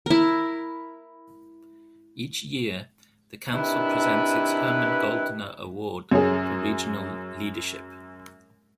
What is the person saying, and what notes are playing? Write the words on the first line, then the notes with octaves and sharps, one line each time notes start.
Each year the council presents its Herman Goldner Award for Regional Leadership.
E4 A#4
C3 D#3 D4 E4 B4
F#2 C#4 G#4